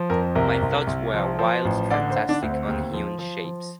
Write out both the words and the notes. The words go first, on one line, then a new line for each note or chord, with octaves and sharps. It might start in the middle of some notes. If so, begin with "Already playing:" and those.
My thoughts wear wild, fantastic, unhewn shapes.
Already playing: F3
F2 A#4
C2 A#4
C2
C2
F3
F3
A1
D3 D5
C5
D3
D4
D2
C4
D#2
F3
F3
F3